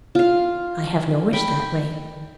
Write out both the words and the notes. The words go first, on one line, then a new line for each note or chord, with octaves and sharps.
I have no wish that way.
F4 F5
G5 B5